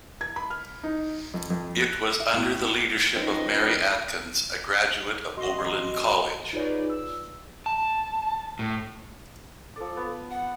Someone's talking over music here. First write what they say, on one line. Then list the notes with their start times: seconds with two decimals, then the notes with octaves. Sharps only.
It was under the leadership of Mary Atkins, a graduate of Oberlin College.
0.21 G#6
0.36 B5
0.51 F6
0.84 D#4
1.34 F2
1.50 F2
1.82 F#6
2.20 E5
2.33 A2
3.16 F3 C4 C#4 D#4 B4 D#5
5.37 A1 F#4 D#5 C6
6.53 D#4 F4 G#4 B4 C#5 D5
6.90 E6
7.66 A5
8.59 A2
9.76 F3 A4 D5
9.97 B3
10.31 F#5